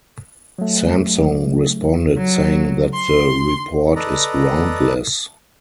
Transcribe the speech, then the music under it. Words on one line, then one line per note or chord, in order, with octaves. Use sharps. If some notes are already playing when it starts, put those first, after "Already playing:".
Samsung responded, saying that the report is groundless.
F#3 A3
F#3
C6
A4 B4 D5 D#5 A#5